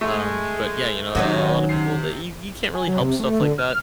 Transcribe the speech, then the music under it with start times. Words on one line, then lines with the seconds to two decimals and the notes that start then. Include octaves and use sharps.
Um, but yeah, you know a a a a lotta people that you you can't really help stuff like that,
0.01 G#3 A3
1.15 C3 D#3 F#3 C#4 D#4
1.69 C3 C7
2.75 G#5
2.87 F#3
3.00 C3
3.20 A3
3.40 D3
3.58 F6